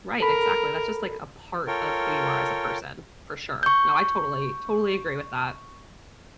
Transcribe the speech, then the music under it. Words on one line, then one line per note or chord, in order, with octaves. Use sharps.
Right, exactly, that's just, like, a part of who you are as a person. For sure. No, I totally, totally agree with that.
A4 A#4 B5
F4 A4 A#4 C#5 G5
C#6 G6